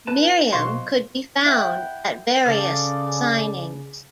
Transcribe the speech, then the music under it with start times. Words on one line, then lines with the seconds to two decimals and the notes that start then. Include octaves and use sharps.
Miriam could be found at various signings.
0.07 B4 A5
0.53 B1 F#4 C5 F5 C6
1.45 E4 F#5 G5
2.46 C#3 A4 D5 F5